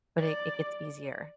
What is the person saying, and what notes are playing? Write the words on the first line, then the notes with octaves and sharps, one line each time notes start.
but it it gets easier.
D5